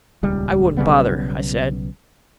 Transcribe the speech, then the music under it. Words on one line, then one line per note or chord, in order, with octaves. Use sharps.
"I wouldn't bother," I said.
D#1 C#2 G3
B1 C#3 G3 B3